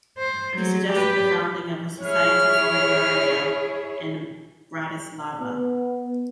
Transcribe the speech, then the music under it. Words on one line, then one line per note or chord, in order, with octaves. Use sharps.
He suggested the founding of a Societas litteraria in Bratislava.
C5
F#3
G4 B4
E4 G#4 C#5 F6
B3